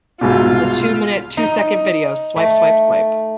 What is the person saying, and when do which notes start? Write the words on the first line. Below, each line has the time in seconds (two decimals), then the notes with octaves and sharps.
The two-minute, two-second video, swipe, swipe, swipe.
0.21 C2 G#2 B2 F4
1.37 D#4
2.36 A3